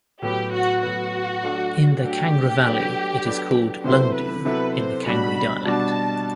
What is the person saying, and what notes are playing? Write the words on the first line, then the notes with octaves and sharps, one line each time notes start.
In the Kangra Valley it is called "lungdu" in the Kangri dialect.
A2 F#3 B3 G4
F#4
A2 F#3 B3 F#4
F#3 A3 D4
F#3 A3 D4 G4
F#3 B3 D4 A4 D5
F#3 B3 D4 A4 D5
C3 F#3 B3 E4 A4 C5
B4
C3 F#3 B3 E4 A4 B4
C5
B2 G3 D4 F#4 B5
B2 G3 D4 F#4 A5